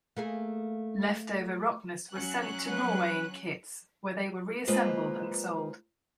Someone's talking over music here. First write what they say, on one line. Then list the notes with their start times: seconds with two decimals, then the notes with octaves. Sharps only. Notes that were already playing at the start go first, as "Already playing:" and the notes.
Leftover Rocknes were sent to Norway in kits, where they were reassembled and sold.
0.17 A3 A#3 G#4
2.12 F#3 C#4 F#6
2.70 B4
4.67 G#3 A#3 F4 B4 C5 D#5